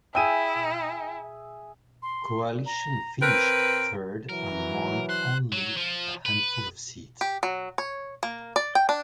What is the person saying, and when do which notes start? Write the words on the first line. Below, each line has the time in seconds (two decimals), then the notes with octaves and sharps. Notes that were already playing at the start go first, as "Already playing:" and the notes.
Coalition finished third and won only a handful of seats.
0.15 E4 G#4 E5 G5 D#7
2.02 C6
2.66 A#5
3.22 C4 A#4 B4 D7
4.29 E3 F#3 A#4
5.09 C5 F#6
5.53 F#3
5.77 F3
6.26 B4
7.21 G4
7.43 F#3
7.78 C#5
8.23 A#3
8.56 D5
8.75 G5
8.89 D4